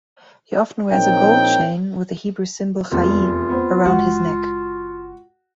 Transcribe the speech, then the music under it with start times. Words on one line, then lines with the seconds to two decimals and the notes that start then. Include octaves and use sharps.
He often wears a gold chain with the Hebrew symbol 'chai' around his neck.
0.91 A#1 C4 D#4 A#4 C#5 G5
2.92 F1 E2 F4
3.49 B3 C4
3.85 F#1 G#3 F#4 F#5